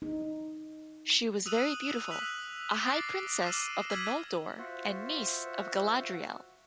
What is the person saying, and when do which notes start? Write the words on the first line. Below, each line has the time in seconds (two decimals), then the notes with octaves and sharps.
She was very beautiful, a high princess of the Noldor and niece of Galadriel.
0.02 D#4
1.46 D#6 E6 F#6 D#7 F7 F#7
1.70 D#6
2.10 E6 F#6 B6 F7 F#7
2.86 D6 F6 A6 A#6 C7 D7
3.46 D6 E6 F6 D#7 E7
3.90 E6 F6 G#6 B6 D#7 F#7
4.58 F4 F#4 C5 E5 F#5